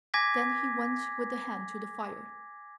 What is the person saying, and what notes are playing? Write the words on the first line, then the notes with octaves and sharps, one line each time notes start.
Then he went with the hand to the fire.
G#5 D6 G#6 A#6 B6